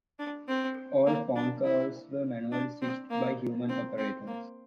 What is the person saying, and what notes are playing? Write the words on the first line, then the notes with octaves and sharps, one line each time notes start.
All phone calls were manually switched by human operators.
D4
C4
A#3
D4
E4
D4
C4
A#3
C4
C4
A#3